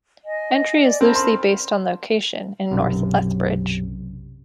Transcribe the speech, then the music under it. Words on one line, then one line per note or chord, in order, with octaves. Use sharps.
Entry is loosely based on location in north Lethbridge.
D#5 G#5
D5
C4 A#4 A5 B5
C6
B1 F#2 C3